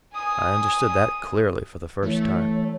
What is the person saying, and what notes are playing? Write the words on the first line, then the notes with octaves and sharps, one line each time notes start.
I understood that clearly, for the first time.
G#5 D#6
E3 A3 C#5